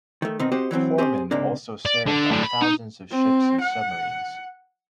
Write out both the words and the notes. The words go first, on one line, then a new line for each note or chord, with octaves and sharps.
Corpsmen also served on thousands of ships and submarines.
D#3 A3
B2 D#3 C4 D#4
C4 F#4 G4 C5 D#5
E3 F#3 G3 C4
C4 G4 G#4 C5
C#2 G#2 C3 A#3 D4
D5
D3
A2 D4
B5
D#4
C4
F#5